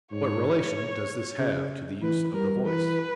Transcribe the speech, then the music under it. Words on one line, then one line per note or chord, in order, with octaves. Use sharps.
What relation does this have to the use of the voice?
G#2 C#5
C#3
E3 B4
G3 A#4
E3 B4